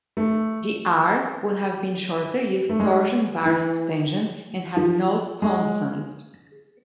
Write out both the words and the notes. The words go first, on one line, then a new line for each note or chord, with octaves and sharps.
The 'R' would have been shorter, used torsion bar suspension and had no sponsons.
A3
A3
G#3
E3
F3
G#3